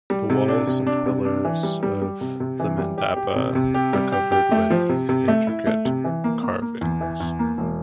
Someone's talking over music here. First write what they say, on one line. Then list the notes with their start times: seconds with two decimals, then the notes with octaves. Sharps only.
The walls and pillars of the mandapa are covered with intricate carvings.
0.10 G3
0.30 C3
0.48 D4
0.67 C3
0.87 D4
1.06 C3
1.25 D4
1.45 E3
1.63 G3
1.83 G3
2.02 G3
2.21 C3
2.40 C3
2.60 E3
2.78 G3
2.98 G4
3.16 G4
3.36 C3
3.55 C3
3.74 G4
3.93 G3
4.12 G4
4.32 G4
4.51 A3
4.70 F3
4.89 C3
5.09 C3
5.28 A3
5.47 E4
5.66 A3
5.85 C3
6.04 E3
6.24 A#3
6.43 A#3
6.62 A#3
6.81 E2
7.01 E3
7.20 E2
7.39 A#3
7.58 E1